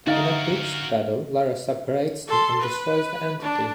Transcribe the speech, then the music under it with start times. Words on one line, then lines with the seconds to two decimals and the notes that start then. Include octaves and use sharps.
In a pitched battle, Lara separates them and destroys the entity.
0.07 D3 D#4 F#4 A#4 E5 F5 A6
2.27 A4 C6
2.61 B4
3.41 D4